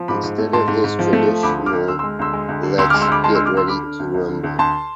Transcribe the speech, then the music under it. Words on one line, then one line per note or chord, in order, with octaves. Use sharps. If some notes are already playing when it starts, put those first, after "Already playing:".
Instead of his traditional Let's get ready to rumble!
Already playing: F3
G#2 B5 D6
G#2
A3
G#2 A5 C6
G#2
G#2
F3
A3
F3
D2 B5 D6
D3
D6 F6
D2
D2 C6 E6
C6 E6
G#3
D2 C6 E6
G#3
D2
D3
D2 C6 E6
D6 F6
G#3
C6 E6
D2 B5 D6
G#3 A5 C6
C6 E6
D3
D6 F6
D2 C6 E6
D3 B5 D6
D3
D2
D2
D3
D2
D2 A5 C6